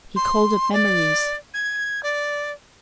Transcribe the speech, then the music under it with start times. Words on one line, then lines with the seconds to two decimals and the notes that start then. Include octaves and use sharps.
He called up memories.
0.16 C6
0.73 D5
1.54 G#6
2.03 D5